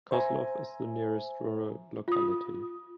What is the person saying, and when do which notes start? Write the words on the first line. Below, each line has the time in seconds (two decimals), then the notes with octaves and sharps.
Kozlov is the nearest rural locality.
0.11 C5 E5 G#5 A#5
2.08 F4 D#6